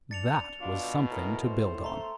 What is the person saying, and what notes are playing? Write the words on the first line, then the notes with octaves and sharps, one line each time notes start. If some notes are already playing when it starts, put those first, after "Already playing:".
That was something to build on.
D4 A6 C#7 F7
B2 D4 F4
A2 A#4
C5
A3 A#5 C6